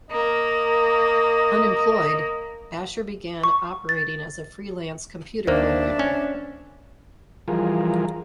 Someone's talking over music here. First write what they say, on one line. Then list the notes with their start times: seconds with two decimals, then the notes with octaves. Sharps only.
Unemployed, Asher began operating as a freelance computer programmer.
0.11 A#3 D#5
3.44 C#6
3.89 A6
5.47 D#2 A#3 D4 C5 E5
5.99 C#4
7.48 E3 F3 G3 F4 G#4 A#4